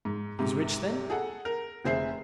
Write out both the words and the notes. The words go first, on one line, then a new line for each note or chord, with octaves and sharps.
"He is rich, then?"
G#2
G#2 C3
G#4 A4 F#5
A#4
F1 G#4 C5 E5 C7